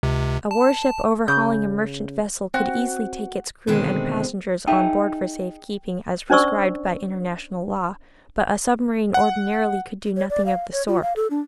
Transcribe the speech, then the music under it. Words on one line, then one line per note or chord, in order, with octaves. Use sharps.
A warship overhauling a merchant vessel could easily take its crew and passengers on board for safe keeping as prescribed by international law; but a submarine ordinarily could do nothing of the sort.
C#2 C3
A5
C#3 G6
C4 F#4
B2 D3 D#3 G#3 C4
D#4 G#4 E5 G5 A5
C#4 D4 C5 D5 C#6 E6
F#5
C#5
D5
F5
C#5
F4
F5
A4
D4